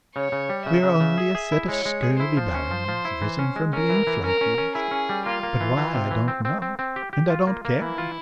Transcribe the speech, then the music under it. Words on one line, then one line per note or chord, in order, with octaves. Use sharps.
We are only a set of scurvy barons, risen from being flunkeys, but why I don't know and I don't care.
C#3 C#5
C#3
G3
C#3 E5
C#3
C#3
G#4
G#4
E4
G#3 C#5
G#3
G#4
E4 C5
F3
C#4
F3
F3
E4
E3
C#4
G#3
C#4 A#4
E3
E3
C#4 A#4
C#4
C#4
E4 G#4
C#4
G3
A#3 F4
A#3
E3
E3
C3
E3
C4
C4
C4
C4
G4
G4
F4
A#3
A#3
E3 E4
F4